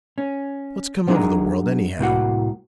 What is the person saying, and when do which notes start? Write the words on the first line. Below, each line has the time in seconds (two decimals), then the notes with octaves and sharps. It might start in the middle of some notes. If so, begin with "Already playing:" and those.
What's come over the world anyhow?
0.18 C#4
1.07 F#3 B3 D4 D#4 G#4 A#4
1.99 C2 A2 A#3 C4 F#4 F#5